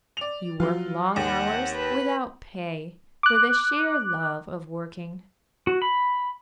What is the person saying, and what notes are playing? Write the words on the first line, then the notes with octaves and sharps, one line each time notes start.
You work long hours, without pay, for the sheer love of working.
D5 F7
F3 F#3 F4 F5
D#2 F#5
B4
D6 F#6
F#4
B5